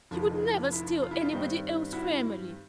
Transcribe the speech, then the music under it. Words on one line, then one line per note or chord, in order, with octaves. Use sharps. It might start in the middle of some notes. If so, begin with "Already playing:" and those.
He would never steal anybody else's family!
F1 F2 D3 F3 E4
D#4
E4
E4
F4
E4
D#4 F4
G2 D#3 G3 C4 D#4
E4 F#4